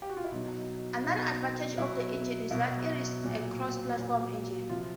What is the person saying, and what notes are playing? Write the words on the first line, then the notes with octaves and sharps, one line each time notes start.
Another advantage of the engine is that it is a cross-platform engine.
G4
F#4
F4
E4
B2 F#3 D#4
B2 F#3 D#4
B2 F#3 E4
B2 F#3 E4
A#2 F#3
A#2 F#3
C3 F3 F4